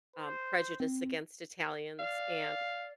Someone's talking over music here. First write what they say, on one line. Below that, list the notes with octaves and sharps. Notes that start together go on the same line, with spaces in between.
um, prejudice against Italians and
C5
C4
D5 F5